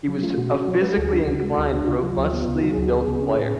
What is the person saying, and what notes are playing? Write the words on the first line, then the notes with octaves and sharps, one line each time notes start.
He was a physically inclined, robustly built player.
F#3
A3 F4
B2 F#4
C#4
F#3 C#5
G#3 B4
A4
D2
G#4
D4 F#4
C#3
G#3
D2
D4 F#4
F#4
C#3 F4
F#3
D2
B3
C#3
F#3 F#4
G#4
D2 F#4
B3 G#4
C#3
C#4
A2